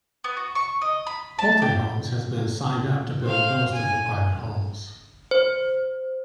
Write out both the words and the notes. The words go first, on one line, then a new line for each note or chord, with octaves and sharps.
Pulte Homes has been signed up to build most of the private homes.
B3
F#4
C#6
D#5
B5
A5
G4
C5 F5
G#5
C5